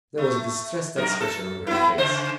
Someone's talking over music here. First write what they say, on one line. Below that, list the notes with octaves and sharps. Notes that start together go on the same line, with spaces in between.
There was a distressed expression on her face.
A3
F#2 A#4
A4
B3 E4
C#3 C5